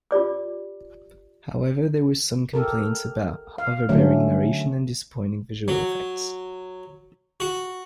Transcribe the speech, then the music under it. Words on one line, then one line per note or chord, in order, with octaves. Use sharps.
However, there were some complaints about overbearing narration and disappointing visual effects.
F4 G4 D5 D6
G4 A4 A#4
F5
D3 F#3 A3 C#4
F#3
F#4